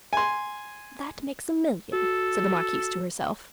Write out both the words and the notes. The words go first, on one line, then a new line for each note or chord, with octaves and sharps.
"That makes a million," said the marquise to herself.
G#5 C6
F#4 A4